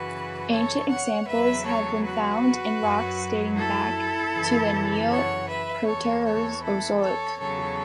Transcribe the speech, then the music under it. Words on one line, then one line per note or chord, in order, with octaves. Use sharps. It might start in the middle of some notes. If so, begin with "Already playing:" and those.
Ancient examples have been found in rocks dating back to the Neoproterozoic.
Already playing: F#2 C#3 E3 F#4 B4
A4 C#5
C#5 F#5
E2 C#3 F#3 B4 E5
A4 C#5
F#4 B4
F#2 F#3
E4 A4
F#2 C#3 E3
C#5 F#5
B4 E5
E2 E3 A4 C#5
A4 C#5
E4 A4
A4 C#5
E2 C#3 F#3 A4 C#5